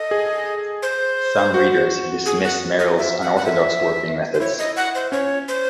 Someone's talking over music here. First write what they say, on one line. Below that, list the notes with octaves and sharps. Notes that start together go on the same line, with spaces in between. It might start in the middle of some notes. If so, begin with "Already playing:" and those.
Some readers dismiss Merrill's unorthodox working methods.
Already playing: A4 D#5
G#4
C5
F#4
G#4
F#5
D#5
E5
F#5
F#5
E5
C5
E4 C#5
D#5
F#5
C5
C#4 C#5
C5